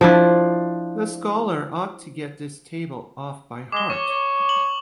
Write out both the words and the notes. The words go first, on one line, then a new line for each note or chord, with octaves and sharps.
The scholar ought to get this table off by heart.
F3 D4 E4
G#3 D6 G7
C#5 C#6
C#5
F#7